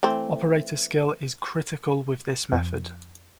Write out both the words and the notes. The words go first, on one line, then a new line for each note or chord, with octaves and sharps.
Operator skill is critical with this method.
E3 A3 C4
F2